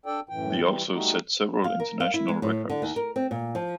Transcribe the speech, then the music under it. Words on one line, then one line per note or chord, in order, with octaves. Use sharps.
They also set several international records.
D4 A4 D5 G5
F#2 A2 E3 G5
E3 G3
G3 A3 D#4 F#4
F5
A#4
F5
E4
G#3
A2
D3
D#2
A#4
C4
A#2
F3